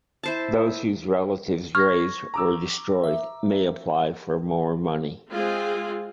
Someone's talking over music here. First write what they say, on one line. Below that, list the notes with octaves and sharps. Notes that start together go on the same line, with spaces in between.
Those whose relatives' graves were destroyed may apply for more money.
E4 C5 A5
C#6 F6 G#6 A#6
A#5 D6 E6
E5
G#3 C4 F4 G#4